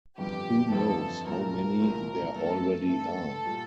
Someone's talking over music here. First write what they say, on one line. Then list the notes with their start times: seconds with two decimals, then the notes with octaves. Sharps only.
Who knows how many there already are?
0.17 G1 F2 E3 G3 G4
0.72 G1 F2 E3 G3 A4
1.26 C2 A#2 A3 A#4
1.80 C2 A#2 A3
2.34 G2 E3 A3 A4
2.89 G2 E3 A3 A4
3.45 A#2 G3